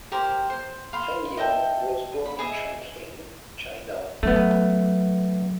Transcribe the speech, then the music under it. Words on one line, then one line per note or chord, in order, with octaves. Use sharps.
Feng Yun was born in Chong Qing, China.
G4 A#4 C5 D6
C5
F5 B5 C6
D#5 E5 G5 A5
B5
G#4 D#5 E5
F#3 A3 B3